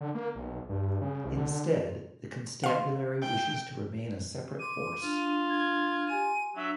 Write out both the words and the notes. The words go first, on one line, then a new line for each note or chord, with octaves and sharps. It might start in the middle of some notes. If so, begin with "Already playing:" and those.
Instead, the constabulary wishes to remain a separate force.
D3
A#3
B1
G2
C#3
C2
D3
F5 C6
G5
C6 D6 D#7
D4 F4
G#6
G4 G#5 C6 D#7
F#3 D4 E5